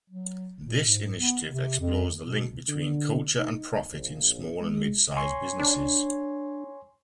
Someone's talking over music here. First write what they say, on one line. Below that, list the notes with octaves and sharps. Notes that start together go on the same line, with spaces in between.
This initiative explores the link between culture and profit in small and mid-size businesses.
F#3
A#2
G#2
B3
C3
F2
B2
D3
D#4
A#1
G#3
C#5 G#5 C6 C#6
D4